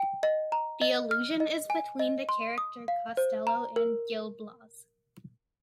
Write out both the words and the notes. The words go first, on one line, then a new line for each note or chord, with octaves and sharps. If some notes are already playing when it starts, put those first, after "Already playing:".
The allusion is between the character Castelo and Gil Blas.
Already playing: G5
D#5
A#5
D#5
F6
D#5
G#5
D#5
C6
D#6
F5
C5
A#5
A#4